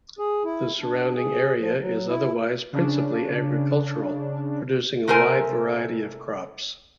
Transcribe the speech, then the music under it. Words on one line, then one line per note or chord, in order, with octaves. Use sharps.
The surrounding area is otherwise principally agricultural, producing a wide variety of crops.
G#4
E4
D4
G#4
F3
F#3
E4
C#3 D4
C3 A3 A#4 C5 G#5